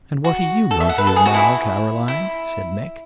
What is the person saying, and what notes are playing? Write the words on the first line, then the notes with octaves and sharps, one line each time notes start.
"And what are you going to do now, Caroline?" said Mick.
F#4
A4
E5
F#5
B4
A4
G#4
F#4
E4
E4